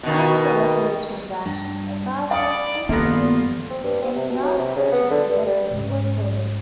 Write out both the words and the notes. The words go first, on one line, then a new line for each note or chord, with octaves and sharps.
Unsolicited transactions are processed independently and not centrally listed or quoted.
B2 D#3
G2
D5 F5 B5 D#6 C#7
G2 D#3 A#3 B3 F4 A4 A#6
C4
G2
C4
C3
B2
F#3
C3
C#3
B3
D3
G2
G3
G#2 C#3